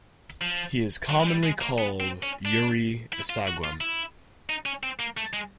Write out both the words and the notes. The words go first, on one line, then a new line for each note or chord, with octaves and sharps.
He is commonly called Yuri Isageum.
F3
F#3
G#3
G3
G#3
A#3
B3
C4
C#4
D4
E4
F4
F#4
F4
E4
D#4
C#4
C4
A#3
A3
G#3